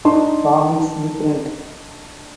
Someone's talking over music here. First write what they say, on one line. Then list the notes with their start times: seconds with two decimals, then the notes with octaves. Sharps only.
Comics imprint.
0.05 D4 D#4 C6